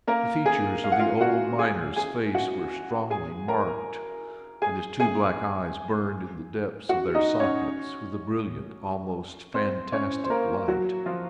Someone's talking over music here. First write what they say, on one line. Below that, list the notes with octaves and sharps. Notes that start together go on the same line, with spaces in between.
The features of the old miner's face were strongly marked, and his two black eyes burned in the depths of their sockets with a brilliant, almost fantastic light.
A#3 A#4
G#4 G#5
F5
F#5
F4 F5
F#4 F#5
G#4 G#5
G#4 G#5
F#4 F#5
G#4 G#5
A#4 A#5
G#4 G#5
G#4 G#5
F#4 F#5
D#4 D#5
C#4 C#5
C4 C5
C#4 C#5
C5
A#3 A#4
F#3 F#4
F3 F4